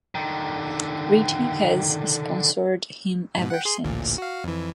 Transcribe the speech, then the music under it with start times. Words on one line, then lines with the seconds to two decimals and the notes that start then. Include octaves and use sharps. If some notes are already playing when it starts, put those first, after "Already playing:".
Ritchey has sponsored him ever since.
0.15 D3 D#3
3.37 G#2 B2
3.50 F#5 G5
3.65 G#4 C6
3.84 A1 D2 A#2
4.18 F#4 F5
4.44 F2 E3